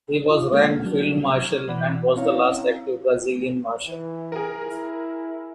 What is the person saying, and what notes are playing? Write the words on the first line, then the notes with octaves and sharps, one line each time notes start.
He was ranked Field Marshal and was the last active Brazilian marshal.
D3 F4
D3 G#3 A#3 A4 F6 G#6
F#3 G3 A3 D4
A#5 C#6 F6 G#6
B2 E3 D5 F#5 B5
C4 C#4 E4 C#5 F5 A#5
E3
G#4 A#4
E4